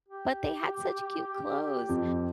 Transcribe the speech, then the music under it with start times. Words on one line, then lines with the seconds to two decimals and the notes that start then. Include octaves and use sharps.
But they had such cute clothes.
0.08 G4
1.89 F2